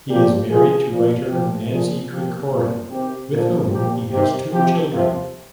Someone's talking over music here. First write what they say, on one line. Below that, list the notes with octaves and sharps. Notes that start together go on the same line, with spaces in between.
He is married to writer Nancy Kricorian, with whom he has two children.
A#2 F3 G4
C3 F3 G#4
A#2 F3
A#2 F3 G4
A#2 F3 G#4
A#2 F3 G4
A#2 F3 F4
C3 D#3 G4
A#2 F3
A#2 F3 G4
C3 D#3 G4
C3 F3 G4
C3 F3 F4